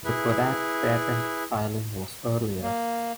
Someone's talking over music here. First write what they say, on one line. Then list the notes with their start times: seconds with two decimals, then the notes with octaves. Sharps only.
The Kodak patent filing was earlier.
0.05 E4 G#4 B4
2.62 A#3